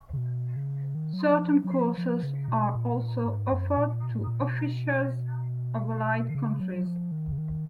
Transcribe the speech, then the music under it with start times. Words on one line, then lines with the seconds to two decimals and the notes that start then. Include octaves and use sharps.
Certain courses are also offered to officers of allied countries.
0.13 C#3
0.17 B2
0.56 C#3
0.95 D#3
1.13 F#3
1.33 F3
1.52 F#3
1.64 F#3
1.72 F3
1.98 F3
2.23 C#3
2.48 B2
2.75 A#2
2.93 B2
3.00 A#2
3.26 G#2
3.52 F#2
3.77 A#2
4.03 B2
4.11 A#2
4.20 G#2
4.27 A#2
4.41 B2
6.30 D#3
6.35 C#3
6.60 F#3
6.86 F3
7.12 D#3
7.32 C#3
7.38 D#3